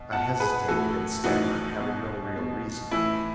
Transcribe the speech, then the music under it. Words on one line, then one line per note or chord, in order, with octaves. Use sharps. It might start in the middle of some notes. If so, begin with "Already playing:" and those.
I hesitated and stammered, having no real reason.
Already playing: B2
B2 F#5 A5
G#4 B4
A2 E3 F#4 A4
A2 E3 D#4 F#4
B2
B2
A2 E3 E4